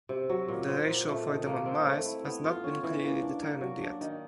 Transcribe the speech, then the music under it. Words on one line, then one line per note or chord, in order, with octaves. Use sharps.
The ratio for them on Mars has not been clearly determined yet.
C3
F#3
A#2
C4
A#2
A3
D#3
A#3
C4
A3
E4
B3
F4
C#4
E3
A#3
D4
A#3
F#3
D4
D#3